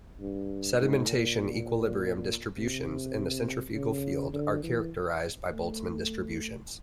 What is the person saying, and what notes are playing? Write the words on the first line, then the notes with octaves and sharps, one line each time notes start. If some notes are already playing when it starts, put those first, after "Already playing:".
Sedimentation equilibrium distributions in the centrifugal field are characterized by Boltzmann distributions.
G2
G#2
A#2
C3
C#3
D3
E3
A3